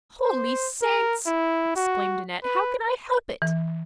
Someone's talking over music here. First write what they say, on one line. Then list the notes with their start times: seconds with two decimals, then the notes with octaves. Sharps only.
'Holy Saints!' exclaimed Annette, 'how can I help it!
0.25 C5
0.83 A#4
1.27 E4
1.76 F#4
2.43 B4
3.42 E3